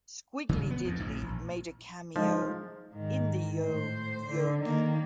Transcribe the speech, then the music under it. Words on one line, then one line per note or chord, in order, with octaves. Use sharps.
Squiddly Diddly made a cameo in the Yo Yogi!
C#3
B3
F2 G#2
A1
A#1
F3 G#3 D#4
G#2 D#3
A2 C5
D3
D#3 A#3